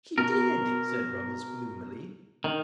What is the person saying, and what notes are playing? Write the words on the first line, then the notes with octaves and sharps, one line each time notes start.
"She did," said Ruggles gloomily.
B2 A#4
D#3